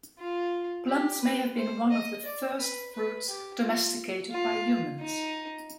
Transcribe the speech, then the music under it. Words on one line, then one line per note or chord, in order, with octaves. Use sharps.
Plums may have been one of the first fruits domesticated by humans.
F4
G4
B4
C5
D#5
D5
B4
B4
G4
F4
F4
D#4